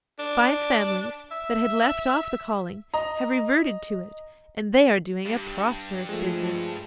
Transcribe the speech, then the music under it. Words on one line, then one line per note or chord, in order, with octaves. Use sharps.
Five families that had left off the calling have reverted to it and they are doing a prosperous business.
D4
E5
D#5 A#5
G2 G3
F3 G#3 A3